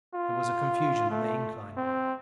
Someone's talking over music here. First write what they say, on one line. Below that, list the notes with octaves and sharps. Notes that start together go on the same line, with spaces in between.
There was a confusion on the incline.
F4
A3
C4